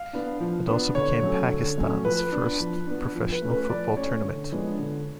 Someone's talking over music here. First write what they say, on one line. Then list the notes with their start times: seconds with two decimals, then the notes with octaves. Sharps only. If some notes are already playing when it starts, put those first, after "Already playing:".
It also became Pakistan's first professional football tournament.
Already playing: F5
0.13 B3 D4
0.40 F3
0.67 B3 D4
0.95 D3 C#5
1.22 F#3 A3 C#4
1.49 D3
1.77 F#3 A3 C#4
2.05 F3 B4
2.32 B3 D4
2.59 F3
2.87 B3 D4
3.14 F3
3.32 B4
3.42 A3 C#4
3.51 B4
3.69 F3 D5
3.97 A3 C#4 C#5
4.24 D3
4.51 F3 G#3 B3 D4
4.79 D3